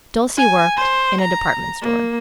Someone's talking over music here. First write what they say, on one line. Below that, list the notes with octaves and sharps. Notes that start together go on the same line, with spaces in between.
Dulcie worked in a department store.
G#5
C5
A#5
A#3